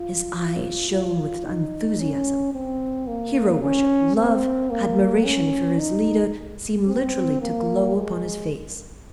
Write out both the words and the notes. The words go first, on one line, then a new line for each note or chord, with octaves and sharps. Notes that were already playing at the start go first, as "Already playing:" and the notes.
His eyes shone with enthusiasm; hero-worship, love, admiration for his leader seemed literally to glow upon his face.
Already playing: F4
F4
F4
D#4
C#4
C4
A#3
C#4
C4
A#3
C#4
D#4
C4
A#3
G#3